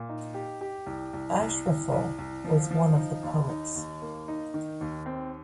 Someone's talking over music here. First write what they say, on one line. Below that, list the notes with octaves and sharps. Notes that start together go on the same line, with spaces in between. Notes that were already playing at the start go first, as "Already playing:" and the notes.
Ashraful was one of the poets.
Already playing: A#2
D#4
G4
G4
C2
C2
C2
C2
C2
C2
F3
F3
D#4
D#2
D#4
D#2
A#3
D#4
D#3
D#2
C4